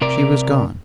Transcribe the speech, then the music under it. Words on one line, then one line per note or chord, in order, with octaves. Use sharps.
She was gone.
C3 A#4 D5